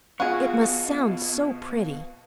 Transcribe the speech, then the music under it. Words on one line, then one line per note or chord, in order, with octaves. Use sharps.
"It must sound so pretty!"
B2 F4 F#4 G#4